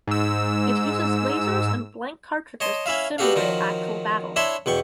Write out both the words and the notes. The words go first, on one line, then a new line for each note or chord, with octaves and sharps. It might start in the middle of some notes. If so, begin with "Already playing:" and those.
It uses lasers and blank cartridges to simulate actual battle.
G#2 E6
C#5 D#5 A5 C6
C#4 E4 E5 F5
B3 D4 F#4 G4 A4 F5
D#3 F3 F#3 A#4
D4 E4 C#5 E5 A5 C6
E2 B2 G5 C#6